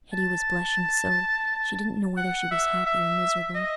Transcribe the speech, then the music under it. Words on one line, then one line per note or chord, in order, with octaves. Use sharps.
Hetty was blushing so, she didn't know whether she was happy or miserable.
A5
F#5
E5
E5
D#5